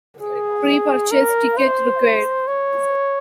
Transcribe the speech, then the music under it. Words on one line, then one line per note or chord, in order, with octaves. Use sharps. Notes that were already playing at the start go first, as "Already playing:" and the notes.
Pre-purchased ticket required.
G#4
A#4
C5
C#5